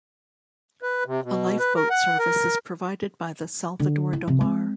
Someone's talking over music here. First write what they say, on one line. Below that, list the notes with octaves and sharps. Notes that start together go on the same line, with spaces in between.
A lifeboat service is provided by the "Salvador do Mar".
B4
C3
B2
B4
A#4
F#5
A#4
D3
E4
C3
G#3 C4